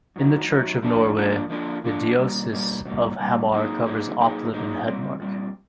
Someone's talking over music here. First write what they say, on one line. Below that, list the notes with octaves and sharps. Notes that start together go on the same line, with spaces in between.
In the Church of Norway, the diocese of Hamar covers Oppland and Hedmark.
F#2 D#3 F#3
F#2 D#3 F#3
F3 A#3 D4 F4 A4
F3 A#3 D4 F4 A4
F3 A#3 D4 F4 A4
F3 A#3 D4 F4 A4
B2 G3 A#3
B2 G3 A#3
B2 G3 A#3
B2 G3 A#3
F#3 A#3 D#4 G#4 C5
F#3 A#3 D#4 G#4 C5
F#3 A#3 D#4 G#4 C5
F#3 A#3 D#4 G#4 C5
A#2 G3 C4
A#2 G3 C4